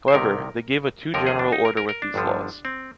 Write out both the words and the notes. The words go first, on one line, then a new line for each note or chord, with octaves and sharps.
However, they gave a too general order with these laws.
C5
C2 C3 D#3 A#4
D#2 D3 F3 A#4
G#4
D4
D#4
A#4
A#4
A#4
D4
G1 G2 D3 F3
C4